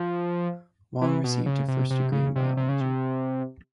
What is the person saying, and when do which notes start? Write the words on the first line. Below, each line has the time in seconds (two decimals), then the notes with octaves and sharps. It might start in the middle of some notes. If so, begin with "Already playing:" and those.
Wong received her first degree in biology.
Already playing: F3
1.01 E3
1.24 B2
1.46 C#3
1.68 C3
1.90 C3
2.12 C#3
2.36 C3
2.57 C3
2.69 C#3
2.81 C3